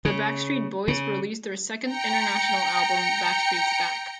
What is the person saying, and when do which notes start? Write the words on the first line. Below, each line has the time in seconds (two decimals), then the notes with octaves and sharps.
The Backstreet Boys released their second international album Backstreet's Back.
0.05 C#3
0.88 C#3
1.83 G5 A#5 C#7